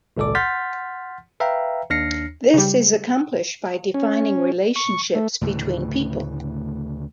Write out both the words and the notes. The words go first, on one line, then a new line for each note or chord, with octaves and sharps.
This is accomplished by defining relationships between people.
G#1 C#2 A#2 A4 D5 D6
F#5 C6 F6 G6 A6 B6
B4 E5 F5 G5 A#5
D#2 D4 F6 A#6 C7 C#7
C#3 G3
C#4
C#6
A3
D2 A2 C#3 E3